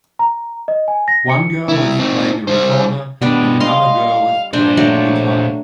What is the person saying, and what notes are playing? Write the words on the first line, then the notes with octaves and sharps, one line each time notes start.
One girl is playing a recorder and another girl is playing the guitar.
A#5
D#5
G#5
A#6
C#7
C2 E4
C4 D#4
G3 C5
B2 G3 B3 D4 D5
D#5 F5 C6
A#2 D4 C5
F#3 A3 D5